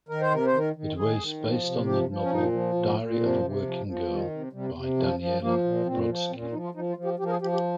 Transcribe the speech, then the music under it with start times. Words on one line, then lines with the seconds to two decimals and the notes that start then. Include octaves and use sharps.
It was based on the novel "Diary of a Working Girl" by Daniella Brodsky.
0.09 D#3 A#4
0.21 C5
0.30 C3 A#4
0.46 C5
0.53 D#3 A#4
0.76 D#3
0.97 D#3 G#4
1.20 D#3
1.41 F3
1.64 C3
1.86 F3 G4
2.09 F3
2.23 C#4
2.30 A#2 D#4
2.52 F3
2.75 A#2
2.97 A#2
3.19 C3 F3
3.42 C3
3.64 F3
3.86 F3
4.08 D#3 G3
4.30 C3
4.53 C3 G3
4.75 C3
4.97 F3
5.08 G3
5.19 F3
5.30 G3
5.41 F3 A#3
5.64 A#2
5.86 A#2 C4
6.08 F3
6.30 A#2 C4
6.42 C#4
6.52 F3 D#4
6.64 F4
6.74 F3 D#4
6.89 F4
6.97 F3
7.05 G4
7.19 F3 G4
7.26 A#4
7.30 G#4
7.41 F3 G4
7.53 G4